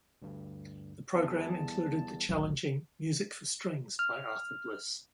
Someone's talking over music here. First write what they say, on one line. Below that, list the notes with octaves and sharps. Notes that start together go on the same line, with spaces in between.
The programme included the challenging "Music for Strings" by Arthur Bliss.
D2 G2 D3
E2 G3 B3 G#4 A5
A1 D2 F#3
F6